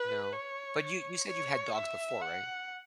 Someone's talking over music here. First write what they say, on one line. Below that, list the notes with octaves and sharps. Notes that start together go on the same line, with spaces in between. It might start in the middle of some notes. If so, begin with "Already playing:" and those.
No. But you you said you've had dogs before, right?
Already playing: B4
C#5
C#5
E5
F#5